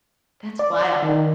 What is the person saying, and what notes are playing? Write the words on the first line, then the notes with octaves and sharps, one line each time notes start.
That's wild.
D5
D#3